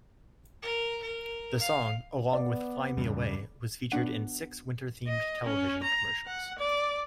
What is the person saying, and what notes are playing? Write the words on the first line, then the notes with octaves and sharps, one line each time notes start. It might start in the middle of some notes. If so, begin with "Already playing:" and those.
The song, along with "Fly Me Away", was featured in six winter-themed television commercials.
A#4
A#4
F5
B3 D5
E2 G2 C#3
B3 D4 F#5
D#5
C#4
A#5
F#5
D5